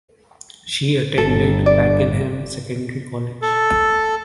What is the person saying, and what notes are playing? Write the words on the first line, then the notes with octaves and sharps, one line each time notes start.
She attended Pakenham Secondary College.
G1 A4
D5
A4